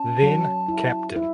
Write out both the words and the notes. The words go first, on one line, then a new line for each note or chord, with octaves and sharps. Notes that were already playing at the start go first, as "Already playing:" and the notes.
Then Capt.
Already playing: C#4 A5
F#3
E4
E4